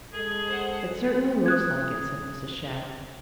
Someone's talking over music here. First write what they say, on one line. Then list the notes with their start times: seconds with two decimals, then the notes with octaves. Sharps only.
"It certainly looks like it," said Mrs. Shadd.
0.13 G#3 G#4 A4
0.47 C5 F#5
1.46 D#6 F#6 G#6